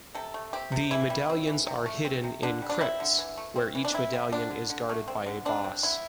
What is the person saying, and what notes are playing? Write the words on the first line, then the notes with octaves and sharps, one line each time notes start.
The medallions are hidden in crypts, where each medallion is guarded by a boss.
C3 A4
A3
C4 G4
C3
E3 E4
G3
C4
E3
C3
A3
C4
C3
D3 D4
G3
D4
C4 E4
D3
E3
A3
C4
E3
D4
C4 E4
C4
D3 D4
D3
D3
A3
C4
D3
C4 D4
C4
D3 E4